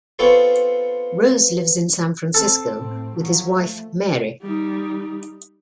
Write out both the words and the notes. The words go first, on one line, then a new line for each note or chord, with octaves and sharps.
Rose lives in San Francisco with his wife Mary.
B3 C4 F4 A4 C#5
C4 A4
A2 C4
F3 F#3
A3
G3 D#4